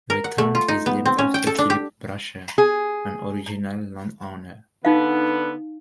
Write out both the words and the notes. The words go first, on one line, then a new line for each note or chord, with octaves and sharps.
The town is named after Philip Brasher, an original landowner.
A#4
F#5
A3
F4
D#4
B3
C4
C#4
G5
A4
D4
G4
G#4
D3 B3 D#4 F5